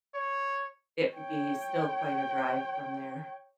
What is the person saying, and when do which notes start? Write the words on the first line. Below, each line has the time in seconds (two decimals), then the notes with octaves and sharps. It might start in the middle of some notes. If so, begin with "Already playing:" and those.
it would be still quite a drive from there.
0.14 C#5
1.13 C#5 G5